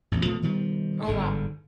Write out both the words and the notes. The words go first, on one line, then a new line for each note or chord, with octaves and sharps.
Oh, wow.
A1 E2
B2 F3 A3 A#3
B2 D#3 F3 G3
G1 G#2 D3